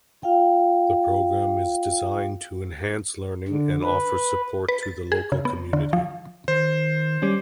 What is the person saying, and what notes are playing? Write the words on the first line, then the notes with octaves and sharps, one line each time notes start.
The program is designed to enhance learning and offer support to the local community.
F4 F5 G5
D3
B4
B4
A6
G#4
C#3
B3
D3
F3
D#3 C5
G3 C#4